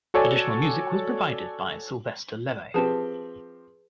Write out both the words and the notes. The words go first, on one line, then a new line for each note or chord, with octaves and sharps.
Additional music was provided by Sylvester Levay.
F#4 A4 C#5 D5 G#5
F3 C4 G4 G#4 B4 A5